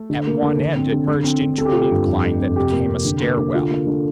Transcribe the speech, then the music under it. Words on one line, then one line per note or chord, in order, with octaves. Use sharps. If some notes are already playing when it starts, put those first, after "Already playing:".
At one end it merged into an incline that became a stairwell.
Already playing: A3 A4
D3
A#3
D3
D3
C4
D3
D3
C4
D3
C4 A4
G4
A3 F4
G4
G2
F2
A3
F2
C3 G4
A#3
C3
D3
A#3
D3
D3 F4
A#3
D3